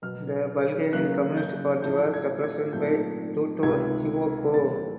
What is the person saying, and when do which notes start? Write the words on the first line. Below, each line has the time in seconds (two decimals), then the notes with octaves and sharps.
The Bulgarian Communist Party was represented by Todor Zhivkov.
0.02 B2 F#3 B3 F6
0.92 C#3 F#3 A#3 C#4 F#6
1.37 G6
1.82 A2 F3 A3 D4 G6
2.14 G#6
2.44 G#6
2.73 A#2 F#3 A3 C4 D#4 G6
3.63 C#2 C3 D#3 G#6
4.53 A2 E3 G3 A#3 A6